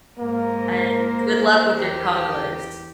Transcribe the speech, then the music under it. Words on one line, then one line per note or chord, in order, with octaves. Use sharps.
And good luck with your toddlers.
G#2 A#3 A#4 C5
E2 G4